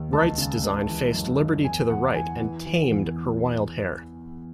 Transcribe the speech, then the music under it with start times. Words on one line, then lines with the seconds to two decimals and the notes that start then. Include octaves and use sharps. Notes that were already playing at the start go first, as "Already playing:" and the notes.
Wright's design faced Liberty to the right and "tamed" her wild hair.
Already playing: D#2
0.13 C#2 A5
0.38 C#3
0.63 C#2
0.89 E3
1.14 F#2
1.40 F#2
1.64 E2 G#5
1.90 E2 F#5
2.15 E3 G#5
2.40 E3
2.66 E3
2.91 E2